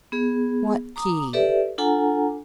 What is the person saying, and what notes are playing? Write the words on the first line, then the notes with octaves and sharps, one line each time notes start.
"What key?"
B3 G#4
A#5 D6 D#6
G4 A4 B4 D5 E5
D4 F4 A4 F#5 G#5 A#5